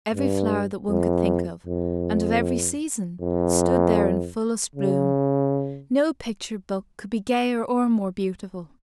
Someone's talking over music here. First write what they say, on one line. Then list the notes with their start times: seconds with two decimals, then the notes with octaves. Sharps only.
Every flower that one could think of, and of every season, stood there in fullest bloom; no picture-book could be gayer or more beautiful.
0.13 G2
0.90 F2
1.67 F2
3.21 F2
4.76 C#3